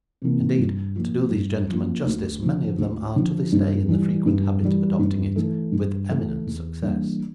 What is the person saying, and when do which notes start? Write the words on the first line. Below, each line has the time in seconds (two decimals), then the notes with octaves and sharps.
Indeed, to do these gentlemen justice, many of them are to this day in the frequent habit of adopting it, with eminent success.
0.22 C3 E3 A#3
0.58 G2
0.95 F3 A#3 F4
1.32 G2
1.69 F3 A#3 F4
2.05 D2
2.43 D3 F3
2.78 D2
3.16 D3 F3
3.52 G2
3.88 E3 G3
4.26 G2
4.63 E3 G3
4.99 G2
5.36 E3 A3
5.72 G2
6.09 E3 A3
6.46 E2
6.82 E3 G3 A#3 D4